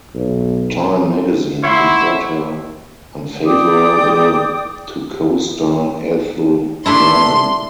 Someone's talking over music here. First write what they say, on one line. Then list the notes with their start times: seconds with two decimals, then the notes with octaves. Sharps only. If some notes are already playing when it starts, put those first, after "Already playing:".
"Time magazine" compared her unfavorably to co-star Ethel Merman.
0.15 B1
1.64 E4 C#5 F#5 C6
3.47 D5 G5 D6 D#6
6.86 A3 D4 E4 C6